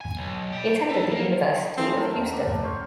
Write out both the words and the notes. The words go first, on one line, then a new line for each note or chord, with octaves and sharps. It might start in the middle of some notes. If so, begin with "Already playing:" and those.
He attended the University of Houston.
G#5
B1
D5 G5
A4 B4
A#3
E3 F3 A3 C4 D4 G#4
F#2 D#3 A#4 F#5
E2 A3 C#4 A5
A3 D5 A#5
C5 C#5 F5